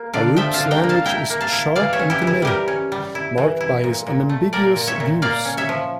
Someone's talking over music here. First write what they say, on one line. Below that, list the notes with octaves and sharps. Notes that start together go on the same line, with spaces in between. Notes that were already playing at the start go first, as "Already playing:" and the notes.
Arup's language is sharp and committed, marked by his unambiguous views.
Already playing: A#3
D3 D5 F5
F3 E5 G5
F5 A5
D3
G5 A#5
A#3
F5 A5
E4 G5 A#5
A#3
F5 A5
E4
E3 D5 F5
C#5 E5
C#4
E4 G4
E3
E4
G3 G4 A#4
C#4
G3
E4
E3
E4
A#2
A#2
A3
A#2 A#4 D5
A#2
C#5 E5
A#2
A#3 D5 F5
C#4
C#5 E5
F3